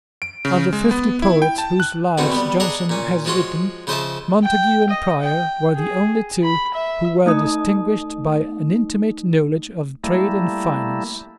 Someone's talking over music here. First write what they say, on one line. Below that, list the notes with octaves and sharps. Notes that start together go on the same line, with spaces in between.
Of the fifty poets whose lives Johnson has written, Montague and Prior were the only two who were distinguished by an intimate knowledge of trade and finance.
D7
C#3
G#3
B3
E4
G5
A5
F#6
E2 B2 D3 A3 C4 C#4
G3 B3
D4 G#4 D#5 F#5 A#5
A#2 C#4
F3 G#3 F4 F#4 C#5 C6
C#3 F3 C5 D#5 E5 A5
G5
D#5
G5
G#4
B5
E5
A3 D#4 D#6
G3 A3 A#3 E4